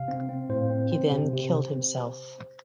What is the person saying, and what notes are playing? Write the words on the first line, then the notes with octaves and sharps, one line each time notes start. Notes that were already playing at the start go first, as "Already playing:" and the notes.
He then killed himself.
Already playing: C3 F5
C4
C4
A2 C5
C4
C4
C3
C3